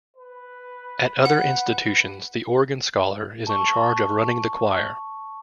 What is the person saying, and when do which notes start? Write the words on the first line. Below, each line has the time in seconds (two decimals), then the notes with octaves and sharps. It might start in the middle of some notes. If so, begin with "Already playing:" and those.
At other institutions, the organ scholar is in charge of running the choir.
0.17 B4
1.25 F#5
3.47 A5 C#6